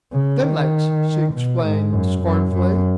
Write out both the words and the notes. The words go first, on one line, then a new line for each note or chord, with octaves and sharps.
"Stim'lates," she explained scornfully.
C#3
D#3
B2
G#2
F#2
F#2
F#2